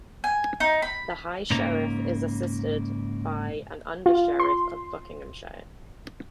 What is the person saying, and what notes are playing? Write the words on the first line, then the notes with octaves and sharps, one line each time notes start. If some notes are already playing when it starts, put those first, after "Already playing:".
The High Sheriff is assisted by an Under-Sheriff of Buckinghamshire.
G#5
D#4
B5
G#2 C#3 A#3 A#5
F4
C6